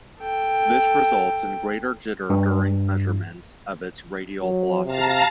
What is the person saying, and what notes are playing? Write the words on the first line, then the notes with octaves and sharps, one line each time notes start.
This results in greater jitter during measurements of its radial velocity.
A4 G5
G2
F#3
C3 F5 A5 A#5